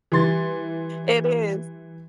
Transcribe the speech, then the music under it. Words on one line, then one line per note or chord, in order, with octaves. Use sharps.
it is.
E3 G3 C6 A6